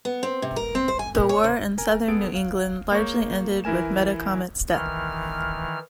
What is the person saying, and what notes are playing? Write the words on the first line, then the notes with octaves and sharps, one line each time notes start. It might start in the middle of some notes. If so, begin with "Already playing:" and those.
The war in southern New England largely ended with Metacomet's death.
B3
C4
C3
A#4
C4
C5
G#5
A#2
C#5
C3
A#4 G#5 A#5
B3 G#4 A4 D7
F5
A#3 G#4 C#5 C#6 G6
E3 E4 A#4 G#5 E7
D#3 E3 F6